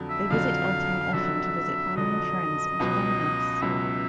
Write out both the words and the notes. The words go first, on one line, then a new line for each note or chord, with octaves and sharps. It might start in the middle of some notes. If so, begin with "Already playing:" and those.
They visit Oldtown often to visit family and friends and to reminisce.
Already playing: F2 D3 F#3
E5
F2 D3 F#3 F5
F2 D3 F#3 E5
F2 D3 F#3 D#5
C#2 B2 F#3
C#2 B2 F#3 E5